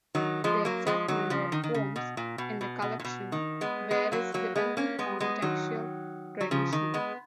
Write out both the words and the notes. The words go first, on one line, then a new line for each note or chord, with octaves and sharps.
The exact number of poems in the collection varies depending on the textual tradition.
D#3 F#3
F3 G#3
F#3 A#3
F3 G#3
D#3 F#3
C#3 F3
D#3
D#3
C#3
B2
A#2
B2
B2
B2
A#2
B2
D#3
G#3 B3
G#3 B3
F#3 A#3
F#3 A#3
G#3 B3
A#3 C#4
G#3 B3
G#3 B3
D#3 F#3
F#3
C#3 F3
D#3
G#3 B3